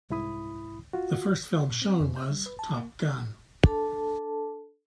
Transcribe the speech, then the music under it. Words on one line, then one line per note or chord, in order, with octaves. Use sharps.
The first film shown was "Top Gun".
C2 G#2 E4 B5 D#6
F4 F#4
A#2
C4
F2
G6
G3
B4
A5
A#3
D4 A4 A5